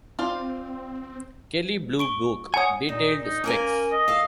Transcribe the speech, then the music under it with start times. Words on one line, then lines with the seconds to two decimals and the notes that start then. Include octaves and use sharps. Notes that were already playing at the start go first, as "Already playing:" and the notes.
Kelly Bluebook Detailed spec's.
0.19 C4 F4 C5 D5
1.99 C#6 D7 G7
2.54 C#5 F#5 G#5 D#6
2.89 A#2 D#4
3.24 D#4
3.44 A#3 C#4 A#4 G#5
3.92 D#5
4.08 A4 F5